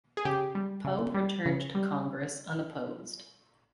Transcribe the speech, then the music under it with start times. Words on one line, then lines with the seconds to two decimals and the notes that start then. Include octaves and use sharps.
Poe returned to Congress unopposed.
0.17 G#4
0.25 C#3 G4
0.55 G3
0.85 C#3
1.15 G3
1.46 C#3
1.75 G3